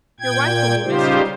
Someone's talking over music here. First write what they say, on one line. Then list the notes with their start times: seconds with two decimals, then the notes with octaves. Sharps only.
Your wife will be mistress.
0.20 A#2 G5 G#6
0.83 C#3 G3 D#4 F4 G4 C5